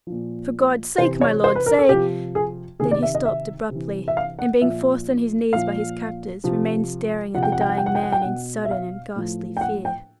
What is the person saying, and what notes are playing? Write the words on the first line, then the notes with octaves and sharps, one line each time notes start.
"For God's sake, my lord say--" then he stopped abruptly, and being forced on his knees by his captors, remained staring at the dying man, in sudden and ghastly fear.
F3
A#2
C3 E3 C5
C#5
C5
B4
A#4
A4
C3 F3 G4
G#4
C3 D#3 G#4
D5
E5
D#5
E5
C3 E3
E5
F5
F#5
A#2 F3 E5
A#2 F3 F5
C3 F3
C3 F3 F#5
G5
F#5
G5
F#5
G5
F#5
G5
F#5
G5
B2 F#5
E5
F5
A2 F3
G5
F#5
G5